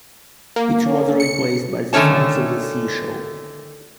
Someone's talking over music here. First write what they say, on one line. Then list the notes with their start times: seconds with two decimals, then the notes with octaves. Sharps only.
It was replaced by the "Songs of the Sea" show.
0.56 A#3
0.87 C#4
1.20 C#7
1.93 D3 D#3 A3 C#4 C#5 A5